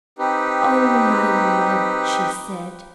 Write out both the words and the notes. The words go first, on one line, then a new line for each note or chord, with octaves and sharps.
"Oh, my love!" she said.
C4 D#4 G4 B4